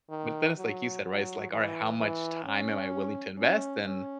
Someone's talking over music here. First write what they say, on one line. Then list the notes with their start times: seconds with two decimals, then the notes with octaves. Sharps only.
but then it's like you said, right it's like, "All right, how much time am I willing to invest and"
0.10 D#3
0.57 F#3
1.05 F#3
1.51 E3
1.98 E3
2.44 C#4
3.37 C#4
3.85 C#4